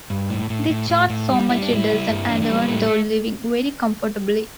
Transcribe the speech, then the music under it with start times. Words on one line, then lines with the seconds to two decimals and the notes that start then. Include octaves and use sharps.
They charge so much a dozen, and earn their living very comfortably.
0.10 G2
0.30 A2
0.50 A2
0.70 A2
0.90 A2
1.10 A2
1.30 G3
1.49 G3 E4
1.62 D4
1.70 A2
1.76 E4
1.89 G3
2.09 G2
2.29 E3 D4
2.42 D4
2.49 G3
2.55 B3
2.68 A2 A3